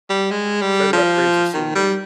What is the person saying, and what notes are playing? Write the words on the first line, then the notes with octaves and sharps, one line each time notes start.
Further upgrades were soon needed.
G3
G#3
G3
F3
D#3
G3